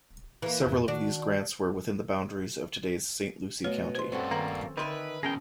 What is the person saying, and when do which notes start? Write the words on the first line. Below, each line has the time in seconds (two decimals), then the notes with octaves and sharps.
Several of these grants were within the boundaries of today's Saint Lucie County.
0.42 E3 A#3 A#4 F5
0.66 F2 A2
0.88 D#3 D4 F#4 F#5
3.64 B2 A3 C#5
3.95 C5 C6
4.12 G2 C4 C#4 F#4 A4
4.31 D#3 A#3 A4 A#5
4.78 D3 D#3 B4 D5 E5 G#5 C6
5.23 E2 B2 C#4 G#4 A#4 G5